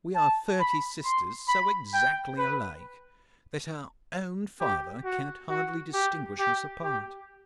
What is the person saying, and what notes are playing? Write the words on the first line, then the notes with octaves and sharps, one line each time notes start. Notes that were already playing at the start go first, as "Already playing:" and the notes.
We are thirty sisters so exactly alike that our own father can hardly distinguish us apart.'
A5
B5
C6
B5
G5
B4
G4
F#4
F#4
G4
G4
G4